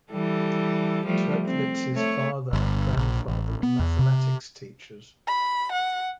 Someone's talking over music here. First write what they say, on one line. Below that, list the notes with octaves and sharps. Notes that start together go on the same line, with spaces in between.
Toeplitz's father and grandfather were mathematics teachers.
E3 G3 A4
F3 G3 A3
C4
A3 C#5
G1
A#1
A1
B3
E2
C3
B5
F#5